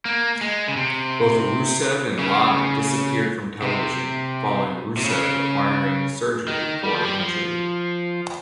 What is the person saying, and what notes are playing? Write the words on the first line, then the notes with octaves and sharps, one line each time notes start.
Both Rusev and Lana disappeared from television following Rusev requiring surgery for an injury.
A#3
G#3
C#3
C3
C#3
C3
C3
C#3
D#3
G3
F3
G3
F3